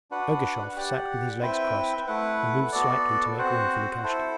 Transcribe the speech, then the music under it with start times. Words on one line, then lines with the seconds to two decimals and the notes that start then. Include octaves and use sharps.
Ergushov sat with his legs crossed and moved slightly to make room for Lukashka.
0.11 D4 F#4 B4 F#5
0.76 G4 D5 F#5
1.41 C4 E4 B4 E5 G5
2.07 A3 E4 B4 F#5
2.72 B3 F#4 A4 D5
3.39 C4 F#4 C5 F#5
4.03 E4 A4 C5